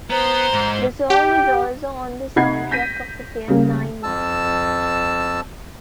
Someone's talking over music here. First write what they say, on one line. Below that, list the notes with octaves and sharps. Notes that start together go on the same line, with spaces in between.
The song was also on the soundtrack of the film, "Nine Months".
B3 C5 A#5 C6
G#2
G4 G5
C3 D#4 F#5 B5 G#6 C7
G6 A#6 B6 D#7
C#3 G3 A#3
F2 A5 E6